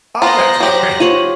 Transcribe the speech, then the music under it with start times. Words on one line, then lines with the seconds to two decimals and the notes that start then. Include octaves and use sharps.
Oh, that's great.
0.22 B3 F4 C5 A#5 F#6 A#6
0.60 F#3 G4
1.00 F4 C#5 D#7 F#7